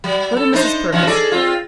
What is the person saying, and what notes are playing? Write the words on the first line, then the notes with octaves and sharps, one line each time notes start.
Go to Mrs. Perkin.
F#3
A4
D4 D#4 C5
E3 C#4 F#4
G#4 A4 D5
C4 F4